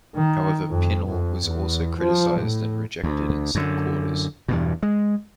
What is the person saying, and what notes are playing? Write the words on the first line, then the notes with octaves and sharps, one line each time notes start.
However, Pinel was also criticised and rejected in some quarters.
D#3
F2
F2
E2
F3
A2
D2
F#2 D3
E2 G2 B2
G#3